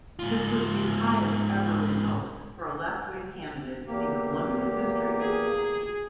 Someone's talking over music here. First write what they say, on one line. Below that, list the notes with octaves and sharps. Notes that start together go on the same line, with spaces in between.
This was the highest ever result for a left-wing candidate in Colombia's history.
G#2 F4
E2 A#3 G4
G#4